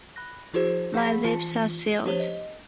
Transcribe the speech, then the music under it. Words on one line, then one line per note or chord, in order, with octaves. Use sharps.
My lips are sealed.
B5 F#6 A#6
F3 E4 F#4 G#4 C5
F3 G#4 F5 F#5 B5 B6
E3 F4 A5 C#7
F3 D4 G4 C5 C#5 G7
D#5